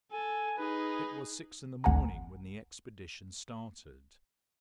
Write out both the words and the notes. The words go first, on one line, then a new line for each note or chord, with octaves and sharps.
It was six in the morning when the expedition started.
A4 G#5
D#4 G#4 B4
G#1 D2 F#5 G#5 A#5